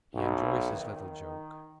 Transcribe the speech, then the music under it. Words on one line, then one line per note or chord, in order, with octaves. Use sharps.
He enjoys his little joke.
B1
D#3